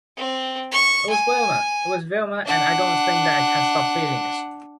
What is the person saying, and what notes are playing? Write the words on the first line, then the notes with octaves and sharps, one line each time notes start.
It was Vilma. It was Vilma and I don’t think that I can’t stop feeling this.
C4
C#6
G#5
D4 F#5